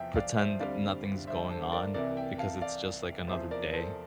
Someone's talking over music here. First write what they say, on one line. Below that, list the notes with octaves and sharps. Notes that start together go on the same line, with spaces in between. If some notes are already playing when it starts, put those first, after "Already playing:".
pretend nothing's going on because it's just, like, another day,
Already playing: E2 C3 F3 E5 G5
D5 F5
C5 E5
D2 D3 G3 C4 D5 F5
C5 E5
A4 C5
A#4 D5
C2 C3 E3 A#4 D5
E5 G5
F5 A5
D5 F5
E2 C3 F3 C5 E5
A#4 D5
A4 C5